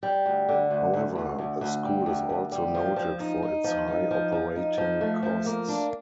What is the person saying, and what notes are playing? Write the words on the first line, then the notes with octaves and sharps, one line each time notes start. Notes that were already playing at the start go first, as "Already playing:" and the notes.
However, the school is also noted for its high operating costs.
G3
D2
D3
D2
D2
D2
D2
D2
G3
D2
D2
G3
F3
F3
D#4
D#4
F3
D#4
F3
F3
D#4
F3
A3
F3
A#3
D4